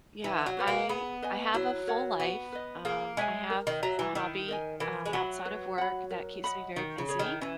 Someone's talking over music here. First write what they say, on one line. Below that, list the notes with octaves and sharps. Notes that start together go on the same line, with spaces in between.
Yeah, I I have a full life, um, I have a hobby, um, outside of work that keeps me very busy
E3 D#4
F#3
F#4 B4 F#5
A#3
B3 G#4
B4 D#5 G#5
F#3 E4
A#4 C#5 F#5
B3 F#4
B4 D#5
A#3 G#4
G#3 C#5 E5 G#5
A#4
D#3
F#3 E5 A#5
E3
D#3 E4
A#4 D#5 G#5
E3 A#4
G#3
F#3 E5 B5
B4
F#5 B5
A#4
D#5 F#5 B5
D#3 D#4
C#3
G#4 C#5
D#3
E3 C#4